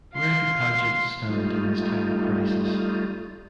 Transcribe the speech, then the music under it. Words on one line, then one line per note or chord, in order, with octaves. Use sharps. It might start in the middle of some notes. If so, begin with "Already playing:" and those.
Where do pageants stand in this time of crisis?
F5 C6
G3 A3 D#4 F4